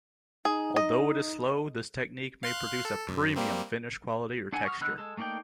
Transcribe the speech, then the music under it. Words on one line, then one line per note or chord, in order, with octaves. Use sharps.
Although it is slow, this technique may produce a premium finish quality or texture.
D#4 G#4
D#5
F5 C6 F#6
A4
F#2
G3 A#3 C4
D4 A4 F#5 G#5
F#5 C#6 D#6 F6
D3 B3 D#4 E6 F#6
G#3 A4
A3 A#3 D#4 D5 G5